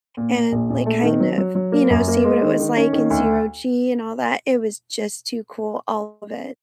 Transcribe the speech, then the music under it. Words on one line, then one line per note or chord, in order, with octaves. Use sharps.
and, like, kind of, you know, see what it was like in zero G and all that. It was just too cool. All of it.
A#2
A#2
A#1
A#1
A3
D#3
F#3
F#3
F#3
A#3
F#2
A#3
G#3
D#3
D#3
C#4
D#3
D2